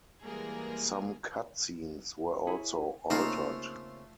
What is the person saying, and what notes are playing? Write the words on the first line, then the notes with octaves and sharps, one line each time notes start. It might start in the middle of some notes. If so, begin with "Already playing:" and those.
Some cutscenes were also altered.
E3 G3 G#3 A#3 G#4 A#4
E4 G#4 C#5
C#3 A3 A#3 C4 D#4 F4 G#4 C#5